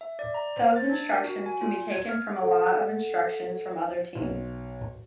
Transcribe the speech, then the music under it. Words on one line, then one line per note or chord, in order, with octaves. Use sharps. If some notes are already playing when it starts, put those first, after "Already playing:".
Those instructions can be taken from a lot of instructions from other teams.
E5
D5
A#5
C5
A6
D4
A#4
F#4
G#5
F4
G#6
F6
A4 F#5
B1